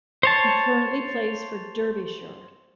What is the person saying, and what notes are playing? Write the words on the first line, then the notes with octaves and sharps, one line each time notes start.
He currently plays for Derbyshire.
C5 C#5 A5